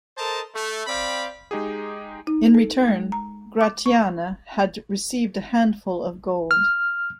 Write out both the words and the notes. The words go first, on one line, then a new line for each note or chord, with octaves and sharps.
In return, Gratianne had received a handful of gold.
A4 A#4 C5 D#5 A5
A3
C4 D5 F5 G5 B5
G#3 D#4 G4 G#4
D#4
A4
G#3
A#5
D6
C#6
F6